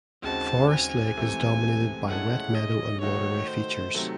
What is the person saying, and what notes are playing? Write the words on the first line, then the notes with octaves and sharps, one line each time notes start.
Forest Lake is dominated by wet meadow and waterway features.
D#2 C#3 G#3 C4 F#4 A5
G#5
C#2 C3 E3 A3 C4
A2 G#3 C#4 E4 A4 F#5
D#5
D#3 A3 D#4 F#4 C#5
C5
C3 D#3 F#3 A3